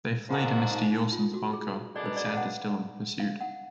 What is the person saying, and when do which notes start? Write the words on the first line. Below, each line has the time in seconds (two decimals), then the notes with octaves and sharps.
They flee to Mr. Yuleson's bunker, with Santa still in pursuit.
0.30 G#2 F3 A#3 D4 F#4
0.71 D#4
0.91 D#4
1.13 F4
1.34 F#4
1.53 G#4
1.95 F#2 D3 G#3 B3 D4 D5
2.06 B4
2.17 D5
2.26 F5
2.37 F#5
3.20 F5
3.41 F#5